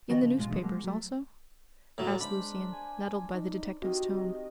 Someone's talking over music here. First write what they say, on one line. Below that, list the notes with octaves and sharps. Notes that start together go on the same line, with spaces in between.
"In the newspapers, also?" asked Lucian, nettled by the detective's tone.
D#3 F3 B3 F#4 D#5 G5
C#3 F3
B1 A2 G#3 F4
A#2 D3 E3 G#3
F3 F#3 G#3 A#3
F#3 A3
A2 F#3 A#4 D6
G#3 D4 C5 B5
G#5
D#4
C3 D#3 F#4 D#5